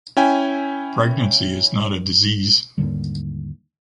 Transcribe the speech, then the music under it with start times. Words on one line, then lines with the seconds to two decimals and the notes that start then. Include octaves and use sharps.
Pregnancy is not a disease.
0.17 C#4 E4 G5 G#5
2.78 D#2 G#2 D3 G3